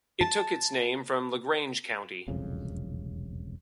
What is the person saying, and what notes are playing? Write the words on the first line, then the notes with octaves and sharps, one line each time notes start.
It took its name from LaGrange County.
A5
E1 C2 F2 C#3